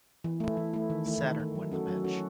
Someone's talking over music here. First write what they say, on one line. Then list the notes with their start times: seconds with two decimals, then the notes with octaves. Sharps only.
Saturn won the match.
0.24 E3
0.40 A3 E4
0.57 E3
0.73 A3 E4
0.90 D#3
1.06 A3 E4
1.22 D#3
1.39 A3 E4
1.55 F#3
1.72 C#4 F#4 A4
1.88 F#3
2.04 C#4 F#4 A4